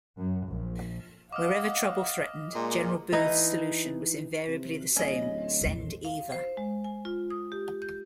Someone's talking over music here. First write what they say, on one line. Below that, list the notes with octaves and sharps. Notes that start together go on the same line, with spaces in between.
Wherever trouble threatened, General Booth's solution was invariably the same, 'Send Eva!'.
F#2
A#1
D#5 F5 F#5 D6 D#6 F6
A#2 G#3
E3 D#4 D#5
C3
D1 C#4 D#5
A#1 E2
F5
C5
G#3
G#5
F4
D#6
G4
G6